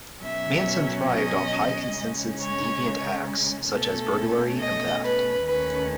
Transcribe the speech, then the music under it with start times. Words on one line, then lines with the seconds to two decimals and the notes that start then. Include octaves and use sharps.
Manson thrived off of high-consensus deviant acts such as burglary and theft.
0.22 B2 F#3 C#4 E5
1.09 D#5
1.97 C#3 G#3 C#4
2.41 C#5
3.72 B2 A3 C#4 A4
4.59 D#5
5.03 B4
5.46 D#2 D#3 A3 C#4 B4